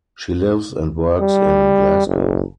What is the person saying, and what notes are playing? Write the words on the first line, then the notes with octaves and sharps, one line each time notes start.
She lives and works in Glasgow.
G3
F#1